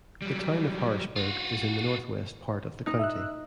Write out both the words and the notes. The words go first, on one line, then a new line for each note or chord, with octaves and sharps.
The Town of Harrisburg is in the northwest part of the county.
F#3 G3
F4 F#4
D#4
E5 E6 F#6